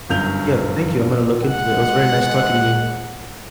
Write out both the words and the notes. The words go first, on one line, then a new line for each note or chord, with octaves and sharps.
Yeah. Thank you, I'm gonna look into it, it was very nice talking to you.
G1 F#2 G6 F7
G#3 F#5